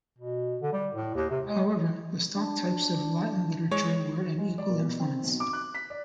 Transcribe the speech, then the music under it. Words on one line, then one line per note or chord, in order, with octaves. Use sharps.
However, the stock types of Latin literature were an equal influence.
B2
D3
G3
A2
D#2
C3
G#3
D4
G#3 C#5
G#3
D5
A#2
B2
C4
B1
D6
F#6
B6
D5